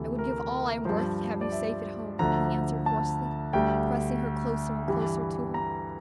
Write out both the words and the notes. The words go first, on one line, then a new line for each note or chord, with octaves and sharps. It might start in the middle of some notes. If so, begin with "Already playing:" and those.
"I would give all I am worth to have you safe at home," he answered hoarsely, pressing her closer and closer to him.
Already playing: D2 C3 E3 A4
A#4
G2 F3 C5
D5
E5
D2 D3 F3 A#5
A5
D2 D3 G3 G5
G2 E3 G3
A#5